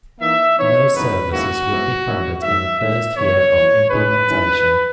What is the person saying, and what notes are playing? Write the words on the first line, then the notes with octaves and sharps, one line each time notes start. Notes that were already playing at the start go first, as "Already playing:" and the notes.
No services would be funded in the first year of implementation.
E3 A#3 D#4 E5
E3 B3 D#4 C#5
F#2 C#3 E3 B3 D#4 B4
G#2 D#3 A#3 C#4 E4 F#4
G#2 F#3 B3 E4
D#3 F#3 A#3 C#4 E4
G#2 D#3 F#3 E5
G#2 D#3 G#3 E5
C#3 E3 B3 C#5
F#2 E3 A#3
C#3 G#3 D#4 B4
D#3 F#3 C#4 E4